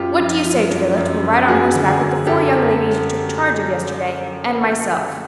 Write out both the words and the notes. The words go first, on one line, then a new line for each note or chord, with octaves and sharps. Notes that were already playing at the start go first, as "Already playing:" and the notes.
"What do you say, Travilla, to a ride on horseback with the four young ladies you took charge of yesterday, and myself?"
Already playing: F#2 F4 G4
F3
F3
F#2
F#2
F#2
F#2 F#4 G#4
D3
F#4 G#4
F#2
F#2 G4 A4